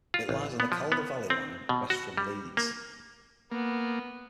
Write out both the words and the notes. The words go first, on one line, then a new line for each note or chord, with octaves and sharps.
It lies on the Calder Valley line west from Leeds.
F4
A1
B3
F3
B3
C4
B2
F#4
G3
A#3
A#3 B3